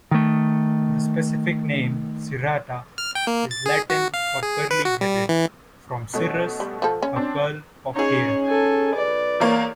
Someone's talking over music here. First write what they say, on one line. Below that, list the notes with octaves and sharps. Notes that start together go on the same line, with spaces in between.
The specific name "cirrhata" is Latin for "curly-headed", from "cirrus", a curl of hair.
D#3 A3
F6
G5
A#3
A6
G#4
F#4
F5
G#4
B4
F#4
G3
E3
B2 A3 C#4
G3
F3 A4
C#4
C4 D4
C#4 D#4 G#4 C#5
A4 G#5
B1 B4 D5
E2 A#3 C#5